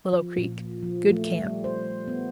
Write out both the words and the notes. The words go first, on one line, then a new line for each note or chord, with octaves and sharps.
Willow Creek.--Good camp.
F3
A#2
F3
A3
G3
C5
B3